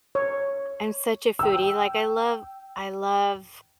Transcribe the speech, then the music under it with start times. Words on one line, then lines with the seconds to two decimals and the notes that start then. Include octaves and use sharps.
I'm such a foodie, like, I love I love
0.15 C#5
1.39 G5 E6